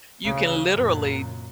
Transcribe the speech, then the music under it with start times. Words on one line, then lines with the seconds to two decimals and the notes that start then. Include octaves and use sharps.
you can literally
0.22 D2 C#3
0.70 F#2 A#2